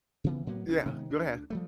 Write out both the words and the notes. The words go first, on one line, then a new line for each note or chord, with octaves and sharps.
Yeah, go ahead.
C#3 E3 B3
A2 F#3 A#3 B3
C2 C3 C#4 D4
C3 D#3 G#3 B3
D2 D4
F3 G3 A3